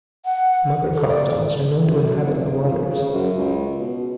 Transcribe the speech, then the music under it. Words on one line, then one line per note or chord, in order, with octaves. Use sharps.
Mugger crocodiles are known to inhabit the waters.
F#5
A4
D5
F#2
F#2
F1
F3
C#3
F#2
C#2
B2